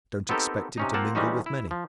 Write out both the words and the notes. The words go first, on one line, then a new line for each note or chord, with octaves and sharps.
Don't expect him to mingle with many.
B3 C4 D#4 G4 A4 A#4
C3 C#4 D#4
A#3 C4 F4 F#5 A5
E3 G3 G#3 C#4 D#4 F#4
E4
F3